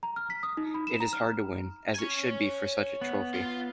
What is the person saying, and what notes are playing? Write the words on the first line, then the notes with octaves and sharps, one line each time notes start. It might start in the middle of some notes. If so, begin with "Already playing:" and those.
It is hard to win, as it should be for such a trophy.
A#5
F6
B6
D#6
D#4
B5
E7
A#5
F6
C#5 G#5
B3
F4 F5